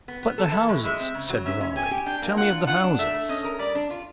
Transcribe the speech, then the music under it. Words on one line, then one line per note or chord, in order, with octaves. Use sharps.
"But the houses," said Raleigh; "tell me of the houses."
B3
B3
A4
E3
A2
G#3 E5
C4
C#3
F#3
C#4 E5
C#4
G4 G#5
G4
D4 G5
A#3
F4 F#5
D4
F4 F#5
D4
A3 E5
A3
C#4 D#5
A#4
G3 D5
D4
F4